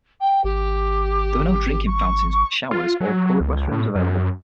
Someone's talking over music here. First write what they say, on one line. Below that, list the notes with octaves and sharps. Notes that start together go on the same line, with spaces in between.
There are no drinking fountains, showers or public restrooms available.
G5
G#1 G4
C#6
F4
F#3
C#2
A2
F#2